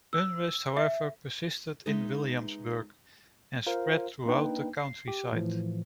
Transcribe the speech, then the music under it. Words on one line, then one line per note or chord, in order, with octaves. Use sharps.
Unrest however persisted in Williamsburg and spread throughout the countryside.
E6
E5
G#3 B3 D#4 E5
F4 A#4 C5 F5
A#3 D4 D#4 B4 G5
C7
G4
A2 E3 F3